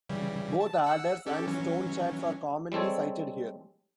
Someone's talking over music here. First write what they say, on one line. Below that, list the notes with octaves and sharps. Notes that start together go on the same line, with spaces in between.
Both adders and stonechats are commonly sighted here.
C#3 E3 G3
A5
F#5 E6
C#4 G4 A4
E3 F#3 C#4
G3 G#3 C4 A4 C#5